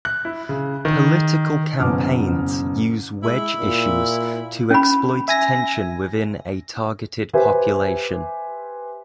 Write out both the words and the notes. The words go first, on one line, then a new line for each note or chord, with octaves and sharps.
Political campaigns use wedge issues to exploit tension within a targeted population.
F#6
E4
C#3
D#3
F#1 B2 C#4 A5 D6 F6
G#3 E4
A#2
C#4 B5
E5 G#5 A#6
G4 B4 C5 E5 G#5